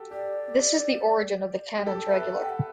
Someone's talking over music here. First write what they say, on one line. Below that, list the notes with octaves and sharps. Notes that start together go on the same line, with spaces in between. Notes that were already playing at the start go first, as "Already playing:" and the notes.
This is the origin of the canons regular.
Already playing: F#4 G4 A4
G4 D5
G4
A4
G4
B4 E5
A4
F#5
G5
F#5